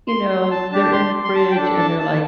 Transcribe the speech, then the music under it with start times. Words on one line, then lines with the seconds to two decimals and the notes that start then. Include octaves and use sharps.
you know, they're in the fridge and they're, like
0.08 C6
0.29 C6
0.51 A5
0.72 D4 G4 A5
0.92 C6
1.24 C6
1.35 A5
1.51 G5
1.56 D4 A4 A5
1.78 A5
1.99 A5